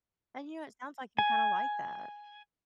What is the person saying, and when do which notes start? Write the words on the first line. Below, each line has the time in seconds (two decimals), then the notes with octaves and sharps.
And, you know, it sounds like you kinda like that.
1.19 G#5